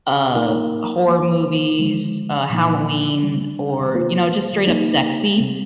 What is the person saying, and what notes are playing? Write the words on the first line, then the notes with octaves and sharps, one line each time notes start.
uh, horror movies, uh, Halloween, or, you know, just straight up sexy,
A#3 D#4 A#4
A#3 F4 C5
D3 F3 G#3
A#2 F3 A#3 D#4
D#3 G3 D4
D#3 A#3 F4 C5
A#3 D#4 G4
C3 G3 C4